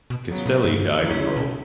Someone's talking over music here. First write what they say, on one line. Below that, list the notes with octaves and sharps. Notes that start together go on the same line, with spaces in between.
Castelli died in Rome.
B2
C#3 F#3 B3
A#2
G2
D2 C#3 F#3 C#4 E4
B2